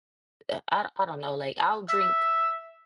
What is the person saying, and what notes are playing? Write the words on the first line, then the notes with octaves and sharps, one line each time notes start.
uh, I I don't know, like, I'll drink
E5